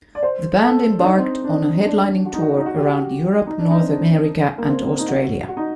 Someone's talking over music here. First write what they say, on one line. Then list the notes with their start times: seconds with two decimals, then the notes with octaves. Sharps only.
The band embarked on a headlining tour around Europe, North America and Australia.
0.15 D5
0.23 C5
0.64 A4
0.99 D4
1.04 D#4
1.17 C4
1.44 D4
1.85 D4
2.25 F#4
2.34 D#4
2.42 F#4
2.58 D#4
2.66 F#4
2.76 G4
2.86 F#4
3.47 D#4
3.59 D4
3.71 D#4
3.81 C4
3.87 D4
4.58 A#3
4.68 C4
4.99 D#4
5.08 F#4
5.48 F#4
5.57 D#4